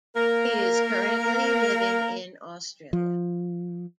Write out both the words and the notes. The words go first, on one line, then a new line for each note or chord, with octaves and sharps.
He is currently living in Australia.
A#3 A#4
F3